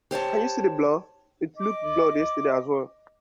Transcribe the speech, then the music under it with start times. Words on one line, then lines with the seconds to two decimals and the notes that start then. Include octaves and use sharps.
Can you see the blur? It looked blurred yesterday, as well.
0.11 G4 C5 C#5 A5
1.56 D#5 D6